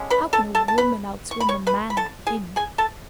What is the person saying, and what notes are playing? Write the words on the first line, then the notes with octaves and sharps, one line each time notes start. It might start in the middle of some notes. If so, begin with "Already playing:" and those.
How could a woman outswim a man like him?
Already playing: D3 G#3 C#4
B4 B5
A4 A5
A4 A5
A5
B4 B5
C#6
B5
C#5 C#6
B4 B5
B5
A4 A5
G#4 G#5
G#4 G#5
A4 A5